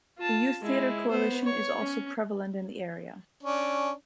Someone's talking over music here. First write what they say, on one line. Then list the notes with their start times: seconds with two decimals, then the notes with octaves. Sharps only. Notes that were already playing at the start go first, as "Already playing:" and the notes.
The Youth Theatre Coalition is also prevalent in the area.
0.18 F4 A5
0.62 G#3 E4
1.10 B3 C5
1.44 C#5
1.80 C#4
3.43 C#4 D4